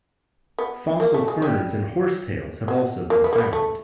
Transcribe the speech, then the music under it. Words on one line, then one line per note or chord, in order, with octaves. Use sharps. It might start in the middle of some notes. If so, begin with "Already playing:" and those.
Fossil ferns and horsetails have also been found.
B3
A#3
A3
G#3
G3
F#3
A#3
B3
A#3
B3
A3